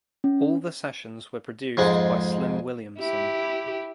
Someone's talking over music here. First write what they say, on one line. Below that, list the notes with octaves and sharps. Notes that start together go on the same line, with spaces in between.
All the sessions were produced by Slim Williamson.
C#4
F2 G#2 G#3
E4 G4